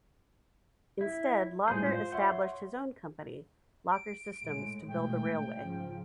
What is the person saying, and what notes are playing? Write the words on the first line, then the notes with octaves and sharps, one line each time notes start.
Instead, Locher established his own company "Locher Systems" to build the railway.
E4
A2 G3 G#3 G#4 C5
F4 C5
C#5 E5 F#5 C6
D7
A2 G#3
B2 G#3 A3 G5
A2
G#2 C#3 F3